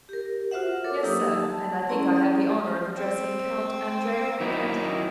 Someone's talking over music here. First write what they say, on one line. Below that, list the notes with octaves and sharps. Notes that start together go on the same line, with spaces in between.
"Yes, sir, and I think I have the honor of addressing Count Andrea Cavalcanti?"
G4 A#4
F4 F#4 C5 E5 F#5
A4 A#4 C#5 D6
F#3 A#3 D#4 G4 D#6 E6
A5
C#4 E4 G#4 D5 A#5 C6
C4
D#3 F#3 D#4 E4